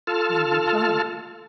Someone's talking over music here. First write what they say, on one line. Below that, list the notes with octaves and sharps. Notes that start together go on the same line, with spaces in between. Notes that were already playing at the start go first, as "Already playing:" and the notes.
No reply.
F4 A4 A5 F6